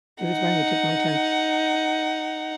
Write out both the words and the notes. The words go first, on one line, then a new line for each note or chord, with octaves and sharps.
it was right on the tip of my tongue.
D#4 F#5